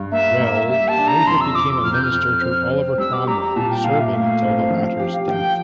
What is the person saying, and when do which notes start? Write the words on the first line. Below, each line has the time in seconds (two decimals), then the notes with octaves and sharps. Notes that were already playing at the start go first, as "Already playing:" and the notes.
Weld later became a minister to Oliver Cromwell, serving until the latter's death.
Already playing: G2
0.11 A#3 E5
0.41 A#3
0.69 G3 E5
0.88 A5
0.98 D4
1.07 A#5
1.27 F2 C6
1.41 E6
1.55 F2 D6
1.84 F2 F6
1.93 G6
2.03 F6
2.12 F2
2.41 C4
2.70 C4
2.98 G3 E6
3.13 D6
3.27 G3 A#5
3.42 A#5
3.56 A#2 A5
3.70 G5
3.84 A#2 F5
3.99 E5
4.13 A3 F5
4.42 C4
4.70 F3
4.99 G4
5.28 F3 G5